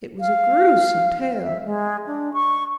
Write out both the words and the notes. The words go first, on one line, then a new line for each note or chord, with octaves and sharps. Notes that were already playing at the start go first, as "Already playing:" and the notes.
It was a gruesome tale!
F5
E5
G#3
D4
C#6